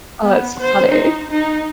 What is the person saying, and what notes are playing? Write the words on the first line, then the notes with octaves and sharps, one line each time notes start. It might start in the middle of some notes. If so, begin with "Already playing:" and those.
Oh, that's funny.
B3
C5
D#4
D#4